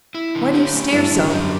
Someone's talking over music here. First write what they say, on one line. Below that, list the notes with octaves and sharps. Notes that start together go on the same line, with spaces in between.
Why do you stare so?
E4
D3
G4
A3
G2 E4
D3
F#2 G4